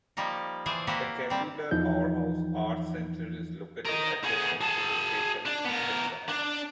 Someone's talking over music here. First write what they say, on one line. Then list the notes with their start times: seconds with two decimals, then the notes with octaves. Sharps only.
The Casula Powerhouse arts centre is located adjacent to the station's eastern side.
0.17 F3 G3 A#3 D#4
0.66 E3 F3 G#4 C5 D5
0.87 A#3 E4 F#4 G4 C5
1.30 G3 C4
1.71 E2 E3 F3 D#4 G6
3.85 A#4 D#5
4.24 B3 G#4
4.61 G#4 A5
5.46 D4
5.64 B3 A#4
6.29 D4